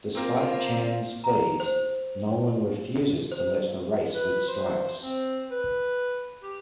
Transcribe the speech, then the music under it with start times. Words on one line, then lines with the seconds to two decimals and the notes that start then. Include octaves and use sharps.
Despite Chan's pleas, Nolan refuses to let her race with Stripes.
0.15 A#3 C4 F4 A#4 C5 D6
1.24 A#5
1.60 C5
3.32 C5
4.15 B4
4.48 C5
5.00 C4
5.51 B4
6.43 G4